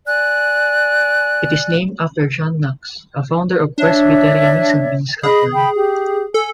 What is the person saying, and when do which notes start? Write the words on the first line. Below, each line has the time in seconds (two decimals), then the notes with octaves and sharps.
It is named after John Knox, a founder of Presbyterianism in Scotland.
0.07 D5 G#5 F#6
3.78 D4 C#5 D5 E5
5.23 G#4 D#5 B5
5.54 G5 B5
5.74 G4
6.34 A4 G#5